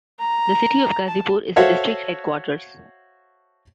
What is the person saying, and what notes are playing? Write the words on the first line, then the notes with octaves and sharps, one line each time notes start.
The city of Ghazipur is the district headquarters.
A#5
A5
F#4 A4 C5 C#5 E5 F5